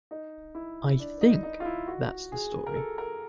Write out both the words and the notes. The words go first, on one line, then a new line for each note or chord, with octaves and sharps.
I "think" that's the story.
D#4
E4
D4
D#4
D#4
F4
E4
F#4
G#4
A#4
A4
A#4